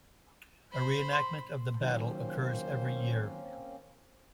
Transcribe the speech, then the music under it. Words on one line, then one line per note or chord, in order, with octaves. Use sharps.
A reenactment of the battle occurs every year.
C5 B5
C6
D#3 F#3 A#3 C4 C#4 C5